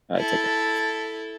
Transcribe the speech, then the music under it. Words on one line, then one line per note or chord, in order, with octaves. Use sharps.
All right, take care.
E4 A4